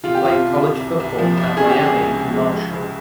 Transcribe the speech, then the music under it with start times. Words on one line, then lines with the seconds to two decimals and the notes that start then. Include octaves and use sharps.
He played college football at Miami and Marshall.
0.04 C3 F4
0.15 G4
0.23 C2 F4
0.42 C3
0.61 C2
0.80 C2
1.00 C2
1.18 F3
1.38 C2
1.57 C#4 G#4
1.70 G4
1.76 C#4
1.83 G#4
1.96 C#2
2.14 C#4
2.33 G#3
2.52 G#3
2.72 C#3